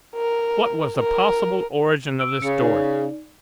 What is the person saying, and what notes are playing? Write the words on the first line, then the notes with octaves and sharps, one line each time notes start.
What was the possible origin of this story?
A#4
A#4
E6 D7
C#3 C#7
D#4 D5